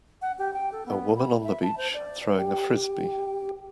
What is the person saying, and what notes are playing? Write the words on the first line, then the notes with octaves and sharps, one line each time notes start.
A woman on the beach throwing a frisbee.
F#5
G4
G5
A4
B3
B5
E5
A5
C5
D5
G4